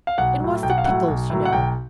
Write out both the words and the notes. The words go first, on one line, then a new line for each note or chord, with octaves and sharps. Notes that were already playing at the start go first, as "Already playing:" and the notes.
It was the pickles, you know.
F5
B1 F#5
A2 F#3
B1 G5
F#5
F5
A2 F#3 F#5
B1
A2 F#3
F#5
B1 G5